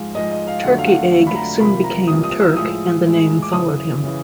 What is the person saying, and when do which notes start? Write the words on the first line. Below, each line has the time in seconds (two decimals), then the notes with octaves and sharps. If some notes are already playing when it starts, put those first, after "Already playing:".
"Turkey Egg" soon became "Turk", and the name followed him.
Already playing: G#2 F3 G#3 F5
0.15 G#2 F3 G#3 D#5
0.31 D#5
0.47 F5
0.63 F2 D3 F#3 A3 F#5
0.79 F5
0.87 F#5
1.11 F2 D3 F#3 A3
1.27 B5
1.36 A#5
1.59 C2 C3 F3 A#3 B5
1.84 A#5
2.08 C2 C3 F3 A#3 D#6
2.24 D#6
2.40 E6
2.56 A2 F3 G#3 D#6
3.05 A2 F3 G#3
3.42 D6
3.53 F#2 C#3 E3 D#6
4.04 C#3 E3